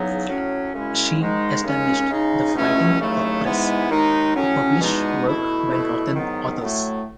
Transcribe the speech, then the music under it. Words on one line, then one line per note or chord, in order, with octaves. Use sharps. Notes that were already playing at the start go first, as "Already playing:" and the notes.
She established the Fighting Cock Press to publish work by northern authors.
Already playing: E2 C#3 F#3 B3 D#4
A2 F#3 C#4
F#2 C#3 G#3 C#4 E4
G#2 D#3 G#3 D#4
D#2 C#3 G#3 C#4
C#3 G#3 D#4
C#2 B2 A3 C#4 E4
D#2 C#3 F#3 A3 E4
G#2 E3 G#3 B3 E4
D#2 D#3 G#3 D#4
A2 F#3 C#4
E2 B2 G#3 B3 D#4
B2 A3 E4
B2 A3 E4
G#2 D#3 F#3 B3
A2 F#3 A3 E4